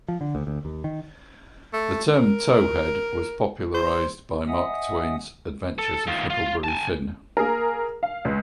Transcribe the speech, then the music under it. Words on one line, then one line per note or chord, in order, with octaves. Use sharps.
The term "towhead" was popularised by Mark Twain's "Adventures of Huckleberry Finn".
F3
D3
D2
D2
D#2
D#3
A3
A#4
C5
D#5 E5 F#5 G#5 D#6
A4
D#3 F4
F4
G#5 A5
A#3 G#4 A#4
F5
C#2